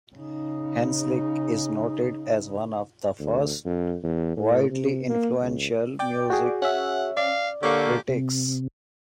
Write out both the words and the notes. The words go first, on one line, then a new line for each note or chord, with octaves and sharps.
Hanslick is noted as one of the first widely influential music critics.
C#3 D#4
D2
F2
E2
A2
C3
A#3
C#2
D5 G5 D6
F#4 G#4
C#4 E5 F#5
D5 F5
D3 A#3 G4 C#5 C#6
C3